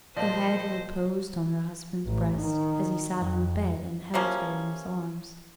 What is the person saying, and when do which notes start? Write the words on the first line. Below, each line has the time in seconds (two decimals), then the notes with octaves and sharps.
Her head reposed on her husband's breast as he sat on the bed and held her in his arms.
0.17 A#2 F3 C5 D5 D#5 A5
2.06 A1
2.39 D#3
3.16 F2
4.14 C3 F3 A#3 C#4